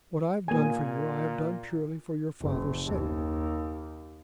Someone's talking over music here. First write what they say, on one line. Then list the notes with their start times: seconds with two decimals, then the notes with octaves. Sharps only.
What I have done for you, I have done purely for your father's sake.
0.48 A#2 A#3 G#5
2.41 F#1
2.86 D#2